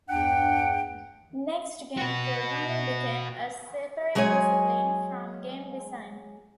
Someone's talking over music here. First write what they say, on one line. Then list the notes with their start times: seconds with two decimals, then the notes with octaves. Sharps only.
Next game programming became a separate discipline from game design.
0.09 E2 G2 D4 F#5 G5
1.97 F#4 B4
4.15 F#3 G#3 G#4 C#5 G#5